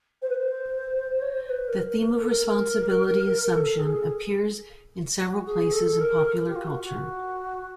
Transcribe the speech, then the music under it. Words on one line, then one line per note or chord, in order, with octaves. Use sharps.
The theme of responsibility assumption appears in several places in popular culture.
C5
B4
C5
C#5
C5
C5
B4
A#4
A#4
A#4
A4
A#4
A4
G#4
F#4
G#4
A4
A#4
G4
F4
F#4
F#4